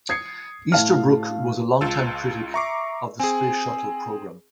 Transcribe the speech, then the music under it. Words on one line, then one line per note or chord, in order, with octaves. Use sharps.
Easterbrook was a longtime critic of the Space Shuttle program.
D#6 G#6 C7 C#7
A2 A3 F5 A5 F6
C#2 F4 A5 E6
E5 A#5 C#6 D6 C7
C4 G#4 G#5